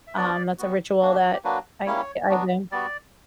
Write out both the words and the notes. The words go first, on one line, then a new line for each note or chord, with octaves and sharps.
um, that's a ritual that I I do.
E5
B3 D4 F#4 D5
G3 B3 F#4
A#3 D4 F#4
G4
F#4
G4
F#3 A#3 D4 F#4 B4
G3 A#3 C#4 E4 C#5
F#3 B3 D4 F#4
G3 B3 F#4 D5